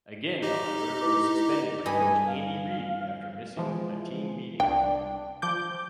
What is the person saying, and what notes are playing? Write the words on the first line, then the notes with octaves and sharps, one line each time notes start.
Again however, he was suspended by Coach Andy Reid after missing a team meeting.
D#4 G4 D#5
E4 B4 D6
G2 D#5 G#5 B5
F5
E3 F3 G#3
C2 D4 G5
F3 D6 G6